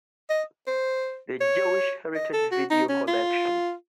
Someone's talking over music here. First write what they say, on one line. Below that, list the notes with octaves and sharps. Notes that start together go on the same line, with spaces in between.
The Jewish Heritage Video Collection.
D#5
C5
C#5
D#5
A4
F#4
D#4
C#4
F4